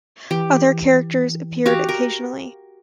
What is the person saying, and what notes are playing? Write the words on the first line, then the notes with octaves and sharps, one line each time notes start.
Other characters appeared occasionally.
E3 G4
F#4 G4 F5
A#4